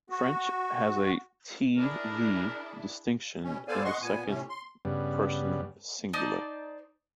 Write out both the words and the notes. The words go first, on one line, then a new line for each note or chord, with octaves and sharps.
French has a T-V distinction in the second person singular.
F#4
D4 E4 G#4 A#4
B2 C#4
B3 A4 C5 D5 F5 G#5
D#5 F#5 C6 C#6
A#2 B3 G#5
A2 C3 C#4
C6
G2 C#3 G3 B3
D#4 C5 D5 A5